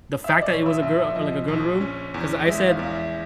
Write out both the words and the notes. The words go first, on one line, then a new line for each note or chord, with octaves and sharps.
the fact that it was a gir or, like, a girl in the room. 'Cause I said,
E5
D#5
D5
A#1 C#5
E5
A#1 E5
E5
F3 D#5
A#1
C#4
E2
G#3 E5
F5
E2 F5
E5